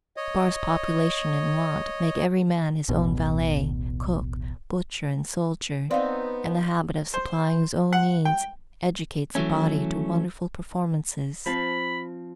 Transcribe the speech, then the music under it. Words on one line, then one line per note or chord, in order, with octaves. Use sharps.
A sparse population and want make every man his own valet, cook, butcher and soldier, and the habit of supplying his own needs educates the body to wonderful performances.
C#5 D#5
D1 A1 B2
B3 C4 D#4 D5 F5
C5
F#5
G5
E3 F#3 A3 C#4
F3 C4 A5 B5